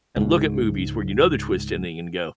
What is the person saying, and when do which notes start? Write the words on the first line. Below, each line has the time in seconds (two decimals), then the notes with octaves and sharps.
and look at movies where you know the twist ending and go
0.16 C#2 G#2